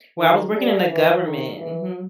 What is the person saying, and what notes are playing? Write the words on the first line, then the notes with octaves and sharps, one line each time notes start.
Well, I was working in the government Mhm.
D#3
G3
E3
D#3
E3